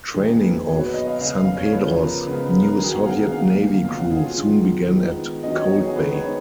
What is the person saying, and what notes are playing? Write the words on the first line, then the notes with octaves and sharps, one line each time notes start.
Training of "San Pedro"s new Soviet Navy crew soon began at Cold Bay.
D#3 A#3 G#4
B4
B2 F#3 B3 C#5
B4
D#5
F5
C#3 G#3 B3 F5
F5
C#5
C#3 F3 B3 B4
A#4
C#3 G#3 B3 B4
A#4
A#4
D#3 F#3 B3 G#4
F#5
F5
F#5
D#3 A#3 F5
F5
F5
C#3 F3 G#3 B3 F5
F#5
G#4
F4
D#3 G#3 B3
D#3 G#3 B3
D#3 F#3 B3 D#5
C#5
F#4
G#4
D#3 G#3 B3 B4
C#5